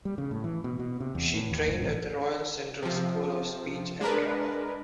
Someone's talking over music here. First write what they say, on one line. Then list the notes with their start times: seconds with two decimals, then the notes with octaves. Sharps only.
She trained at the Royal Central School of Speech and Drama.
0.05 G3
0.18 C#3
0.31 A2
0.44 E3
0.64 B2
0.79 B2
1.00 C3
1.15 E2
1.34 A2
1.51 D#2
1.68 G1
1.82 A1
2.82 C3 F3
4.01 G#3 D4 A#4 B4